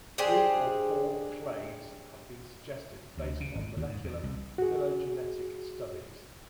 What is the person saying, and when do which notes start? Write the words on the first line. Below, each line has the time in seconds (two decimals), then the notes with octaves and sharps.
Three or four clades have been suggested based on molecular phylogenetic studies.
0.18 D4 G4 G#4 C5
3.17 D2
3.40 C#3
3.55 G#1
3.77 D#2
3.89 G#2
4.04 E2
4.23 C2
4.58 F#4 G#4